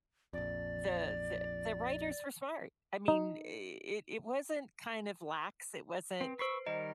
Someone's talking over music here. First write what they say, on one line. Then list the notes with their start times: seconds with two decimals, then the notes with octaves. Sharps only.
The the the writers were smart. I mean, it it wasn't kind of lax. It wasn't
0.33 A#1 F2 D5
3.08 D#4
6.21 C4 B4
6.39 B4 C5 C#6 E6 C7
6.66 D#3 G3 A#4 D#5